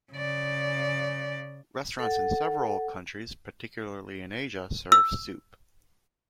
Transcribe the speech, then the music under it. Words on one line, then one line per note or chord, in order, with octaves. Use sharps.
Restaurants in several countries, particularly in Asia, serve soup.
C#3 D5
A4 F#5
E6